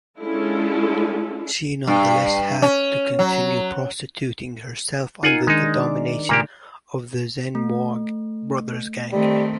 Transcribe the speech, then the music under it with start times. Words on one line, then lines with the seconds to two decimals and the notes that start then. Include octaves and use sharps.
She nonetheless had to continue prostituting herself under the domination of the Zenmour Brothers gang.
0.20 G#3 C#4 D4 E4 F4 A4
1.87 G2
2.62 C#4
3.19 F#3
5.23 D#4 F4 A#4 F#5 G#5
5.47 D#3 G#3 D4 D#4
5.76 D5
6.29 A#2 C#3 A3 A#3 G4
7.55 A3
9.12 D#3 G3 A3 C4